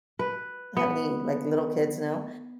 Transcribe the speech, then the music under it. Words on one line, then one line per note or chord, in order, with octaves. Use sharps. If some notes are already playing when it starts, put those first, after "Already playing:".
have any, like, little kids now,
B4
B3